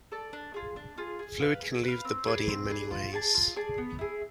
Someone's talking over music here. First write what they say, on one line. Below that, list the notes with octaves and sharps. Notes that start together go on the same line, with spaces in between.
Fluid can leave the body in many ways.
A4 D5
D4
F4 G#4
D4
F4 G#4
G#4
B4 F5
G#4
B4 F5
C4
G#4 B4 D5
C4
G#4 B4 D5
F4
G#4 D5 A5
F4
G#4 D5 A5
B3
E4 G#4